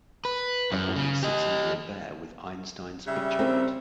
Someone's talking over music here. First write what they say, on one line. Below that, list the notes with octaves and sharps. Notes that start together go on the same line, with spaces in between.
A boy sits under a bear with Einstein 's picture on it.
B4
F#2
C#3
G4 D#5
C#3 G3 E5
C4 A#4